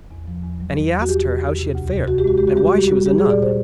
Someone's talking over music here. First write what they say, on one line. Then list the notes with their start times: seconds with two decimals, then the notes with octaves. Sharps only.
And he asked her how she had fared, and why she was a nun.
0.11 E2
0.27 F3
0.43 E2
0.60 F#3
0.77 E2
0.93 E2
1.02 F#4
1.09 E2 G4
1.26 E2
1.42 E2
1.59 C3
1.75 D2
1.91 C3
2.07 C3 F#4
2.18 G4
2.24 G#3 F#4
2.38 G#3 G4
2.48 F#4
2.56 G3 G4
2.68 F#4
2.73 G3 G4
2.87 G3 F#4
3.06 G3 G4
3.18 A#2 G#4
3.30 D5
3.40 A#2 C5